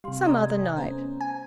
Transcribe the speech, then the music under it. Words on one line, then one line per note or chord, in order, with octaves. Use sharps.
"Some other night."
C3 G3 G4 F5 C6
G4 D5 D#5 G#5 A#5 D#6
A3 G#6
B3 C#4 C5 A#5
G#5